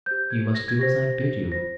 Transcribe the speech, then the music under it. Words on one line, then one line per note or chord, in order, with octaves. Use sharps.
You must do as I bid you.
G4 C5 G6
G#6
A#6
G#6
G4 C5 A#6
F4 C5 A#6